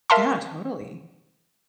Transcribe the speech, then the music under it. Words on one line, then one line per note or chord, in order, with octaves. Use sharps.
Yeah, totally.
A#4 E5 F5 A5 C6